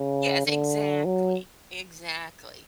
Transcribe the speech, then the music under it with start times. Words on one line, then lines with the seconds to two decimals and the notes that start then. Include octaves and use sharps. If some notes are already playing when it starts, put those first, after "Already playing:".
Yes, exactly exactly,
Already playing: C#3
0.46 D3
1.05 F#3